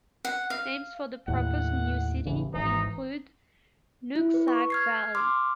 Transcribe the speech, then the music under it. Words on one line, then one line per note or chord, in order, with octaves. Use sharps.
Names for the proposed new city include "Nooksack Valley".
F#5
F5
D#2 A2 F#5
A1 C#3 E3
G#1 E3 D#4
E4
B4
C#6
F6 G#6 C7
C6 D6 F6